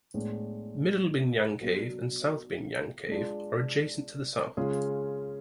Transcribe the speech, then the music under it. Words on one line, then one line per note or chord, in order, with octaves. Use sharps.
Middle Binyang Cave and South Binyang Cave are adjacent to the south.
A2 G#3 B3 D4
F#3 B3 D4 F#4
G#3 D4 F4
C#3 G#3 C#4 F4 G#4